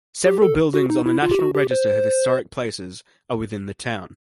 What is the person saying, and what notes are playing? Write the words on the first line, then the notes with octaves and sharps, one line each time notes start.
Several buildings on the National Register of Historic Places are within the town.
G4
A4
F#4
D#4
E4
F4
G4
F#4
G4
C5